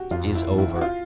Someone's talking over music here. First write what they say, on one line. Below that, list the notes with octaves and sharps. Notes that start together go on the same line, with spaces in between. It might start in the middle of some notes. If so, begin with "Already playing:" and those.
It is over.
Already playing: F#4 G4
F2 F4
E4
F2
E4
F#4
F4